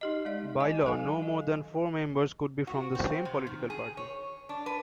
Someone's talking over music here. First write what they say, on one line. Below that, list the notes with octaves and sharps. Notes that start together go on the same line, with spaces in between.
By law, no more than four members could be from the same political party.
D#4 G4 D#5
G#3 D#4 D5 E5
D#5 G#5 D6
F#3 D#4 A4 F5 G#5
D#5
F#4
C4
C3
D#3
G#4
C#5
D4
B4